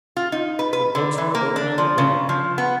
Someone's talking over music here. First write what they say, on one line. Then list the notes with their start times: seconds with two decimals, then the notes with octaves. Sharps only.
The books were open on the bed.
0.16 F4
0.32 D#4
0.59 B4
0.73 B4
0.95 D3
1.18 E3
1.35 A#3
1.56 D4
1.78 F3
1.98 C#3
2.29 F3
2.58 B3